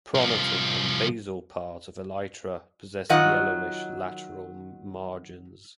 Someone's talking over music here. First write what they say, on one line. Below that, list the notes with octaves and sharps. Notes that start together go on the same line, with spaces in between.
Pronotum and basal parts of elytra possess yellowish lateral margins.
C2 F3
D#3 F#3 F4 D#5 F#5